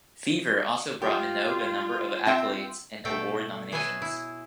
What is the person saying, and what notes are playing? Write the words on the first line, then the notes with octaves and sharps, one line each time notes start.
"Fever" also brought Minogue a number of accolades and award nominations.
F4 G4
C4 E5 G5
B2 A3 A4 G5
G#4 B4 C#5 E5 G#5 A5
E4